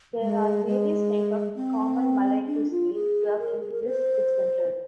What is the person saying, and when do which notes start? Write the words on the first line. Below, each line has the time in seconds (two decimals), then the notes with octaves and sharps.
There are various type of common Malay cuisine served in this food centre.
0.21 G#3
0.66 G#3
1.56 C4
2.47 D4
2.71 F4
2.93 G#4
3.39 A#4
3.60 G#4
3.72 A#4
3.84 C5